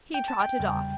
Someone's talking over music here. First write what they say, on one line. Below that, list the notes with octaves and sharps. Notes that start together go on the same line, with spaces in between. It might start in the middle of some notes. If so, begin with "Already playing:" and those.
He trotted off.
G5
A5
G5
E2 C#3 G3